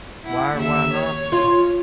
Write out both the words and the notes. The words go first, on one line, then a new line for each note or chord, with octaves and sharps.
Why or why not?
E4 F#5
D#2 E5
C#5
F4